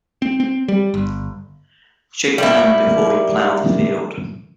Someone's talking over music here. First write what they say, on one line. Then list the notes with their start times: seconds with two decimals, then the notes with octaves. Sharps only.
Shake the hand before you plough the field.
0.22 C4
0.40 C4
0.68 G3
0.94 G1
2.38 G3 A#3 E4